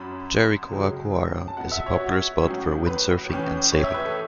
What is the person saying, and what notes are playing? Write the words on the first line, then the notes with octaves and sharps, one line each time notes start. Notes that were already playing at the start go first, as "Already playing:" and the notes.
Jericoacoara is a popular spot for windsurfing and sailing.
Already playing: F#2 F#3 C#4 B5
C#2 C#3 F#3
A5
B2 B3 F#5
E5
C#5
F#4
A2 F#3 C#4
B4
A2 E3 C#4
C#5
E5
B4
A4